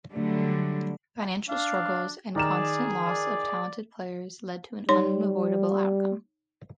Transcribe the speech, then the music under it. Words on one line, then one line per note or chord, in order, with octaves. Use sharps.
Financial struggles and a constant loss of talented players lead to an unavoidable outcome.
D3 F#3 G3 A3
D4 F5
D#3 G#4 D5 A#5 E7
D5
G3 D#4 C#5 C6